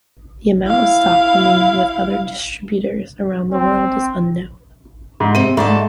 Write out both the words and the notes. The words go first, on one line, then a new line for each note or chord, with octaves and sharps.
The amount of stock remaining with other distributors around the world is unknown.
E4 F5
C4
G#2
C3 C4 D#7
G#2 A3 D5 A5